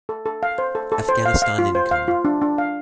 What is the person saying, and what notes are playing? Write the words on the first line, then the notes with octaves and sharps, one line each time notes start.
Afghanistan income.
A4
A4
F5
C5
A4
A4
C5
F5
F5
F4
C5
F5
F4
D4
D4
F5